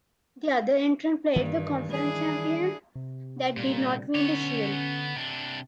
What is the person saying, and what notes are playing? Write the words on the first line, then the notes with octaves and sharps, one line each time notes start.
The other entrant played the conference champion that did not win the Shield.
G2 D#3 E3 G3
D4 E4 G#4
C3
D2 A#2 G3
D3 B3 C#4 C#5
C3 D4